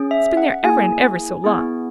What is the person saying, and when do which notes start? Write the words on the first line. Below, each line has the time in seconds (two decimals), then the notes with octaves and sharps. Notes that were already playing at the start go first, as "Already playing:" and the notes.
It's been there ever and ever so long!
Already playing: C#4 G#4
0.11 E5
0.37 F#5
0.64 A#3 E4 G#4 G#5
1.44 B3 E4 G#4